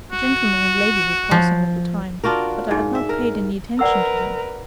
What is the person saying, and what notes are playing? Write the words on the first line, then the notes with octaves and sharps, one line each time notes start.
A gentleman and lady were passing at the time, but I had not paid any attention to them.
F#4
F3
D4 F4 F#4 A#4
G#2
E5
A#4
A#4 B4 D5 F#5 E6